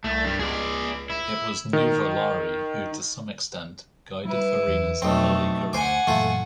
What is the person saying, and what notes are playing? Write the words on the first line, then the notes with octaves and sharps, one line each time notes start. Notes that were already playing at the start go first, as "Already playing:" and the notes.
It was Nuvolari who to some extent, guided Farina's early career.
C2 A3
G2 G3
C#2 G#4 D5
E4
D#3
G3 E4 B4
E2
B1 F2 A3 C4
D2 C5 F#5 G#5 D6
F#2 A#2 E3 A3 F4